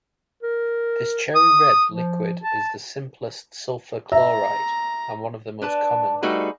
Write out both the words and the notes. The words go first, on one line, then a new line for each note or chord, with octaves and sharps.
This cherry-red liquid is the simplest sulfur chloride and one of the most common.
A#4
D#6
F3
A5
E5 A#5
D4 B4 A5
G3 A3 D#4 F#4 G#4 B4